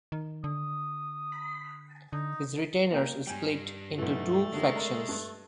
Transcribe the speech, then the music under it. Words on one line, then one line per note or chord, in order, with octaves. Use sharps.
His retainers split into two factions.
D#3
D3 D#6
D3 D#4
A#3 G5 A#5
G2 G3 G5 G#5
B1 E3 A3
D3 D#3 G#3 C#4
A#4
G2